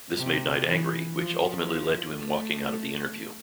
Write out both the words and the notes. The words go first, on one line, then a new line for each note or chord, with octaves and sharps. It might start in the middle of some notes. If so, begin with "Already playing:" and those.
This made Knight angry, which ultimately led to him walking out of the interview.
C3
E3
F3
F3
A3